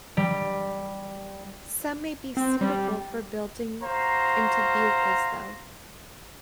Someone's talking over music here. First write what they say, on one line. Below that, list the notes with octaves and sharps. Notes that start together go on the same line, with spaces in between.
Some may be suitable for building into vehicles though.
G3
C4
G3
F#4 C5 F5 A#5